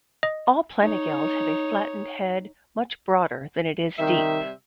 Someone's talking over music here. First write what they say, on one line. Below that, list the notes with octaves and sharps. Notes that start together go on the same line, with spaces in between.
All planigales have a flattened head, much broader than it is deep.
D#5
D#4 C#5
C3 D#3 G3 E5